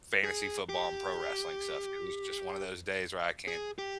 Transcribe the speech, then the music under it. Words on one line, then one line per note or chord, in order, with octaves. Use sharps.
fantasy football and pro wrestling stuff 'cause it's just one of those days where I can't
G#4
G4
G#4
G4